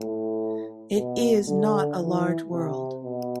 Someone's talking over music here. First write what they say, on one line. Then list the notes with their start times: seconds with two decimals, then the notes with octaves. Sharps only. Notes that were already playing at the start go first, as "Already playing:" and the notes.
It is not a large world.
Already playing: A2
0.95 B2
1.47 D3
1.99 E3
2.52 C3
3.04 B2